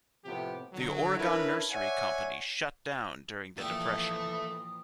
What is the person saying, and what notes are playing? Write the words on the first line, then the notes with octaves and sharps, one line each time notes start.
The Oregon Nursery Company shut down during the depression.
A2 C3 F3 B3 G4
D3 F#3
C#4 D4 E4 A#4 B4
C#5 D5 E5 F#5 G#5
A#2 E3 F3 A#3 G4 A4 E5 D#6